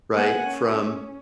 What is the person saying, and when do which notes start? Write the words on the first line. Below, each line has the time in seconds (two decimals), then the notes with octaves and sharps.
right, from
0.13 A#3 B3 F#5 G#5
0.48 C#4